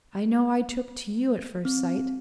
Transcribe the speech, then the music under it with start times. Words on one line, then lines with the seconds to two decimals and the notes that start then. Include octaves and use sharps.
I know I took to you at first sight!
1.65 C4